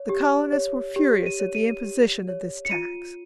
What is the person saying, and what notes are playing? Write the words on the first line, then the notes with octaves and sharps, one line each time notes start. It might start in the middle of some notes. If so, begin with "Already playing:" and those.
The colonists were furious at the imposition of this tax.
Already playing: C#5
G4
C#5
G4
D#7
C#5
D#7
G4
C#5
C#7
F4 D#7